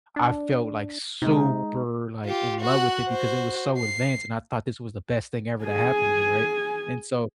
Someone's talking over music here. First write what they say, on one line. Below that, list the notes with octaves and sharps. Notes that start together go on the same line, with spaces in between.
I felt, like, super, like, in love with it because it was so advanced and I thought this was the best thing ever to happen to me, right, and so,
D4
C3 G#3 D#4
F4 G4
F#4 F#5
F#4 C5
C7
G#4 G#5